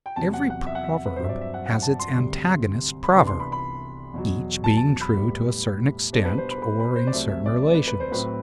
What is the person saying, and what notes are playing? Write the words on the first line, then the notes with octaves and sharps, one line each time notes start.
Every proverb has its antagonist proverb, each being true to a certain extent, or in certain relations.
G5
E2 C3 F#3 A5
F#5
F#5
E5
F#5
E5
B4
G2 F#3 C4 C5
E5
D5
E5
F#5
F#5
A5
C6
D2 C3 G3
B5
C2 C3 E3 B3 D4 C6
C6
B5
B5
E2 B2 F#3
A5
A5
B5
A2 G3 B3
B2 G3 D4 C5
B4
C5
B5
B5
B5
C5
D5
C2 C3 F#3 A3 C4 E5
E5
D5
D5
B4
B4
C5
A2 F#3 C4 B4